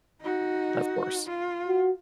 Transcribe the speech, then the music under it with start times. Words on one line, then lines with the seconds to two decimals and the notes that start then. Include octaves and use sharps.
Of course.
0.21 D#4 F#4
1.27 F4
1.67 F#4